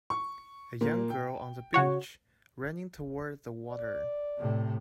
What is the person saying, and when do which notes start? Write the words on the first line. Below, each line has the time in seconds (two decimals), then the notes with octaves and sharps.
A young girl on the beach, running toward the water.
0.10 C#6
0.81 A#2 A#3
1.10 G5
1.74 C#3 F#4 C#5
3.67 D5
4.39 A2 C3